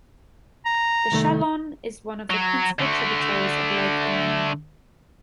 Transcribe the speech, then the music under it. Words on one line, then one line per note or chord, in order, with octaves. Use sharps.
The Shelon is one of the principal tributaries of Lake Ilmen.
A#5
C2 D#3 A3
F#3
D3 A3